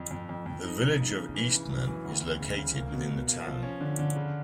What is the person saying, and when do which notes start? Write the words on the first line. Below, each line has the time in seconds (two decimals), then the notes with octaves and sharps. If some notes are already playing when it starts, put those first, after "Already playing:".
The Village of Eastman is located within the town.
Already playing: F2
0.11 F2
0.29 F2
0.46 F2
0.64 D#4
0.81 D#4
0.99 C#3
1.16 C#3
1.34 E3
1.52 C#3
1.70 F#2
1.87 E3
2.05 D2
2.23 D2
2.40 C#3
2.57 C#3
2.75 A#3
2.92 B2
3.10 B2
3.28 A#3
3.46 F3
3.63 C#4
3.81 D3
3.99 D3
4.16 C#3